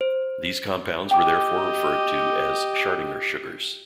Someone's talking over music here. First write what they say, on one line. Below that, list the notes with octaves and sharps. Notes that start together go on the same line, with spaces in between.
These compounds were therefore referred to as "Schardinger sugars".
C5
G4 D#5 G5 D6